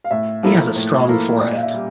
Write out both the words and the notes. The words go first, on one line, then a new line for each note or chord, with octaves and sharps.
He has a strong forehead.
F5
A2 E5
F3 A#3 E4 A4
A2
F3 A#3 E4 A4
A#2 D5
F5
E5
G3